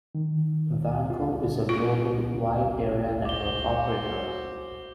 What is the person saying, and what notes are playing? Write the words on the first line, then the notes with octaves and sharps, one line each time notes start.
Vanco is a global Wide Area Network Operator.
D#3
F4
F4
F#4 C5 D6 G7